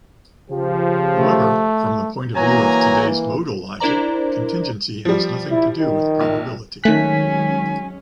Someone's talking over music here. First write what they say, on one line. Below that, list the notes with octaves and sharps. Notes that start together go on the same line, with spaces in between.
However, from the point of view of today's modal logic, contingency has nothing to do with probability.
C#3 F3 G4
A3
E3 F#3 A#3 G#5 A#5
D4 E4 A#4 C5 D5 A#5
F3 G3
E4
D#3
A#1
D#3 F#3 G#3 A3 C#4 G#5 F#6 B6